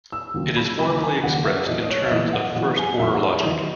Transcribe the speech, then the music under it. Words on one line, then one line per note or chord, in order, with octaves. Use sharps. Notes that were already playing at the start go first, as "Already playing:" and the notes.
It is formally expressed in terms of first-order logic.
E6
D#2 C#3 F#3
B5
D#2 C#3 F#3 B5
G#5
D#2 C#3 F#3 F#5
E5
E2 B2 F#3 D#5
D#5
C#5
E5
E2 B2 F#3 D#5
F#5
E2 B2 F#3 F#5
G#5
E2 B2 F#3 E5
F#5
E5
E2 D#3 F#3 D#5